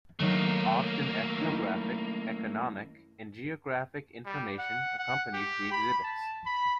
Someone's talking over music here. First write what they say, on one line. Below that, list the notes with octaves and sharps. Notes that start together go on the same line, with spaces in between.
Often ethnographic, economic, and geographic information accompanied the exhibits.
D#3 F#3 A3 A#3 D#4
C#4 D#4 E4
G3
F#5
F#5
G4
B5
A5
B5